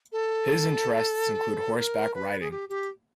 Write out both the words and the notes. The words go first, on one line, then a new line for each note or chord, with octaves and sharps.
His interests include horseback riding.
A4
A#4
B4
G#4
G4
G4